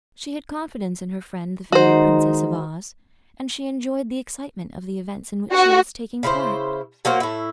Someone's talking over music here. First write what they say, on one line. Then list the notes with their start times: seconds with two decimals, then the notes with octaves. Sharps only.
She had confidence in her friend, the fairy Princess of Oz, and she enjoyed the excitement of the events in which she was taking part.
1.72 D#3 G#3 D#4 F#4 C5
5.52 F#4
6.23 C#3 E4 A#4 C5
7.05 F#3 A#3 F#4 C5
7.20 A2 E4